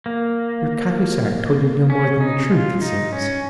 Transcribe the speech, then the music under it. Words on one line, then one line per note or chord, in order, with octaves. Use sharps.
"Your Cahusac told you no more than the truth, it seems."
A#3
C#4
D#4
F4
D#4
C#4